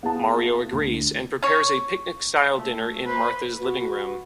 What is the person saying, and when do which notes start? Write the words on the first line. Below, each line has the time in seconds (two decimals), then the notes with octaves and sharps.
Mario agrees, and prepares a picnic-style dinner in Martha's living room.
0.03 B3 E4 G#4 F5 F#5 A5
0.72 D2
1.43 C#4 C#5
2.55 A3
3.05 B4 C5
3.58 F#4 B4